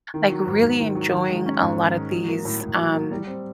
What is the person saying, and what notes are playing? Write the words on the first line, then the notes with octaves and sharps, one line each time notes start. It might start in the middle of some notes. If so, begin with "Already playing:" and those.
Like, really enjoying a lot of these, um,
D#3
F#3
G#2
G#2
D#3
F#3
D#3
G#3
C#4
G#2
D#3
G#3
F#3
A#3
A2
A2
F#3
A#3
G3
C4